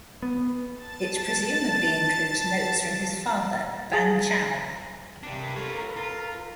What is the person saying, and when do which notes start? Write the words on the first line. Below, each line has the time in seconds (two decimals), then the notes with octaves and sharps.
It presumably includes notes from his father Ban Chao.
0.22 B3
0.76 A5 A6
3.93 G#4
5.23 C3 G3 D4 A#4 B4
5.56 F4 A4 C#5
5.96 F4